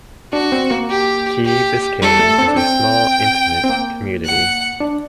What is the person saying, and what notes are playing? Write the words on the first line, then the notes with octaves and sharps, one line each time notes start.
Key Biscayne is a small, intimate community.
D4 F#4
C4
A#3
G4
G4
G3 A4
A3
C4
D4
C4 G5
C4
A#3
F#5
D4